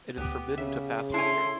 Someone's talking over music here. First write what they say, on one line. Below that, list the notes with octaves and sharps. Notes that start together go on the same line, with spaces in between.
It is forbidden to pass from here.
D2 B3 G4
C#3 E5
D4 E4 A4 C#5 G#5 C6